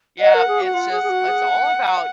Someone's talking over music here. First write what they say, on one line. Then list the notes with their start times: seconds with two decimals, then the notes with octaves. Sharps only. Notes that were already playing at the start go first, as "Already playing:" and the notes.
Yep, it's just it's all about
0.20 D#5 F#5
0.34 A#4
0.47 G#4
0.61 F#4
0.74 F4 F#5
0.91 G#4
1.03 G#4
1.09 F#4
1.28 G#4